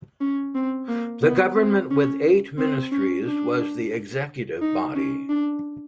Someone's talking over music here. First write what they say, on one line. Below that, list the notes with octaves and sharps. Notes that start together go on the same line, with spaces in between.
The government with eight ministries was the executive body.
C#4
C4
A#3
B3
C4
C#4
C4
C#4
D4
D#4
C#4
D4